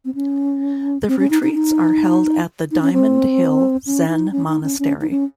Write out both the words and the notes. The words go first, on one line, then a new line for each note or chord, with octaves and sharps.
The retreats are held at the Diamond Hill Zen Monastery.
C4
C#4
C4
C#4
D#4
D#4
D#4
D#4
C#4
C4
C#4
D#4
C#4
D#4
C#4
C#4
D#4
C#4